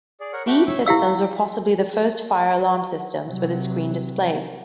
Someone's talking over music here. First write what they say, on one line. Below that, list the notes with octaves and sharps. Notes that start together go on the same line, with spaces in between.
These systems were possibly the first fire alarm systems with a screen display.
G#4 D5
A#4 C#5 F#5
A3 F#4 G4 B5 D6
C#5 E5 E6
E4 G4 F5 E6
C3 F#3